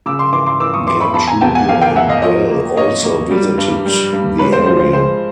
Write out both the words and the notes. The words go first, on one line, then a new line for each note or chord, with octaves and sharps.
Gertrude Bell also visited the area.
C#3 D6 E6
C6 D6
E3 C6 D6
C6 D6
E3 D6 E6
C#6 D#6
E3 C6 D6
B5 C#6
E2 A5 B5
G#5 A#5
E2 G5 A5
F#5 G#5
E2 F5 G5
F5 G5
E2 E5 F#5
D#5 F5
F3 C#5 D#5
A#3
A#3 C#5 D#5
A#3
G3
G2
G3
G2
G#3 B4 C#5
C5
F3 C5
C5
G#3 C5